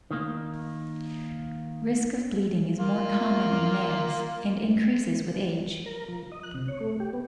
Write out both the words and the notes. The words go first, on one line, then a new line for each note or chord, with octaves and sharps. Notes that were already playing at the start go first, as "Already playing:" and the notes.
Risk of bleeding is more common in males, and increases with age.
D#3 A#3
A#3 F4
A#4
F3
D#5
F#6
C3
C#5
A3
G4
B3